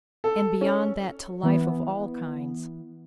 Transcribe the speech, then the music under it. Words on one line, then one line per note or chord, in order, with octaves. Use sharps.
And beyond that to life of all kinds.
A4
C#4
E3 B3